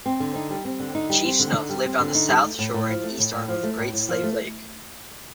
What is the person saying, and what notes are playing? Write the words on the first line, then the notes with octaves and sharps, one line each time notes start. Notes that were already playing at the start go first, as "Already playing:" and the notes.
Chief Snuff lived on the south shore and east arm of Great Slave Lake.
C4
D3
D#4
G3
C4
D3
D#4
G3
C4
D3
D#4
G3
C4
D3
D#4
G3
A3
A2
A2
F3
A3
A2
A2
F3
A3
A2
A2
F3
A3